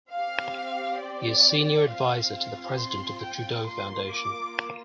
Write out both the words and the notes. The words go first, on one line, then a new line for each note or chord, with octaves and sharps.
He is Senior Advisor to the President of the Trudeau Foundation.
C4 G4 F5
D5
C4 F4 F5
C6
G5
A#3 F4 C6
D6